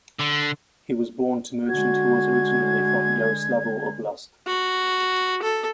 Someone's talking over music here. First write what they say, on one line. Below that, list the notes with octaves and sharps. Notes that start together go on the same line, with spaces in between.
He was born to merchant who was originally from Yaroslavl Oblast.
D3
D3 G#3 F#4 G#6
F#4
A4